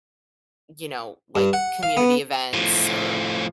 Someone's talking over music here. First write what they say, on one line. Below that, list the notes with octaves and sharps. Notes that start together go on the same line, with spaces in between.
you know, like community events or,
G2
F#5
F5
B3
A2 F3